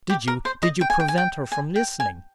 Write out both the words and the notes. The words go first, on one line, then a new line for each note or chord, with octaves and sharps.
Did you--did you prevent her from listening?'
G4
A#4
C5
D#5
G5
G#5
G5
G#5
G5
G#5
G5
G#5